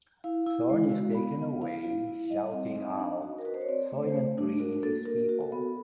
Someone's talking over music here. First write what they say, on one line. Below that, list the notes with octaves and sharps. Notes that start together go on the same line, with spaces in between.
Thorn is taken away, shouting out: Soylent Green is people!
E4 F5
E4
G#3
F#4
B3
B3
E4 F5
E4
E4
G3 D#5
C4
D#4
D4
F#4
A#4
F#4 B4
C5
C#5
C4 D5
A3
C5
A3
D4
F#4 A#4
A#3 A4
F#4 A#4
F#4
A4
B3